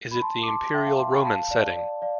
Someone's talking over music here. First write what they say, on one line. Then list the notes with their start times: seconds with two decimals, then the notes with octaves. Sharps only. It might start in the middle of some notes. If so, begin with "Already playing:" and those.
Is it the Imperial Roman setting?
0.11 B5
0.22 A5 C6
0.43 D6
0.48 A5 C6
0.74 E5 G5
0.86 F5 A5
0.99 A5 C6
1.12 G5 B5
1.25 F5 A5
1.51 D5 F5
1.76 D5
2.02 D5 F5